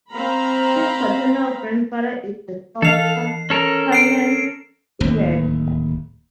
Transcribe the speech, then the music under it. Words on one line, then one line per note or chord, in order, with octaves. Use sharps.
His paternal grandfather is the sculptor Hermann Schubert.
C4 F5 A#5 B5
E3 A4 F5 C7
C#4 A4 A#4
C7 D7
D1 D#2